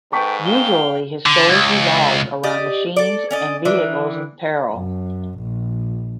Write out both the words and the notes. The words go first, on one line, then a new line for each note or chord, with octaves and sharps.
Usually his stories revolved around machines and vehicles in peril.
G#2 A4 B4 G5 A5 C#6 B6
F5 G5 G7
D3
C#2
G4 D5 D#5
A4 D5
C#4 D5 D#5
D#3 E3 D4
F#2
A#1